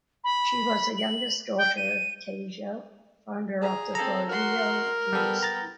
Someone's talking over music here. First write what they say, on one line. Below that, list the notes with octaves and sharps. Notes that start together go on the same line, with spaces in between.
She was the youngest daughter of Taejo, founder of the Goryeo dynasty.
B5
F#7
G5
D#7
G#4 A#5
C4 A4 A#5
F#4 A#4 C6
G3 B3 A4 G5
A#5 A6